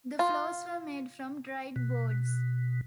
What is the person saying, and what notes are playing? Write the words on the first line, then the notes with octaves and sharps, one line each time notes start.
The floors were made from dried boards.
F4
B2